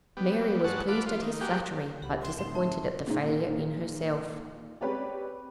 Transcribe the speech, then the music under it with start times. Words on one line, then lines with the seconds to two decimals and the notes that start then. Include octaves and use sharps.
Mary was pleased at his flattery, but disappointed at the failure in herself.
0.17 G3 B3
0.64 G2 G#3 F#4 C#5 F#5 A5
0.88 F4 A4 F#5 B5 D6
1.06 F3 F4
1.22 D#3
1.41 G3 G#3 A#3 F#4 G4
2.02 C2 G4 F#5 B5
2.22 E5 G5 G#5 C6
2.39 A2 D3 C4 D#4 E5 C6
2.55 A5
3.07 A#2 G#3 D#4
4.81 G#3 C4 G4 B4 C#5 D5